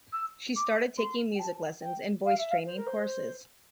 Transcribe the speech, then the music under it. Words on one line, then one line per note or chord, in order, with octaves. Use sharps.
She started taking music lessons and voice training courses.
E6
D6
C6
G5
A5
G5
F5
E5
F5
C5
A#4
C5